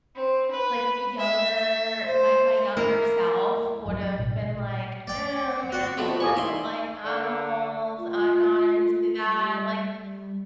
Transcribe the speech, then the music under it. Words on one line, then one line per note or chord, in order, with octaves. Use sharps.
like, younger my my younger self would've been like, "Oh, man, who doesn't like animals? I'm not into that, like,
C4
B4
E5
E5
C5
A#3 E4 A#4
A#1 F#2 E3 F#3
A1 B2
A#2
D5 G5 D6
F#5
F#4 D5
B2 F3 A3
A1 D5 G#5 C#6 D#6
D#3 E5 C6
D3
F4
G3
G3